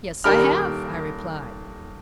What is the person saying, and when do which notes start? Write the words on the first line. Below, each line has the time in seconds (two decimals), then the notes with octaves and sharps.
"Yes, I have," I replied.
0.24 D#1 G4 A#4 B5 F6